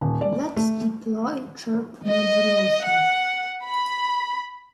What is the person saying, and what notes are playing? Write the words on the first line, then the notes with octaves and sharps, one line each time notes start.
Let's deploy chirp modulation.
D#1
D5
A3
D#5
F#5
B5